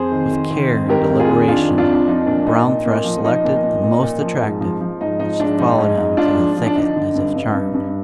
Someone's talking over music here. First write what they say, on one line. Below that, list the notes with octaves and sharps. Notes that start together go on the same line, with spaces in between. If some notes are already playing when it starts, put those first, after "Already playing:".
With care and deliberation the brown thrush selected the most attractive, and she followed him to the thicket as if charmed.
Already playing: F2 G#4 C5
D#3
D#3
D#3
F2
D#3 G4 A#4
F2
F4 G#4
D#3
D#3 D4 F4
F2
D4 F4
F2
F3 D#4
A#2 D4
A#2 D#4
A#2
A#2
F3
F3 D#4
A#2
A#2
A#2
A#2
F3
G#2
F3
F3
G#2 D#4
F3 D#4
G#2 D4
F3 D#4
G#2
G#2
G#2 D4 F4
F3
F3
D4
D3 D#4
D3
G2
G2
G2
G2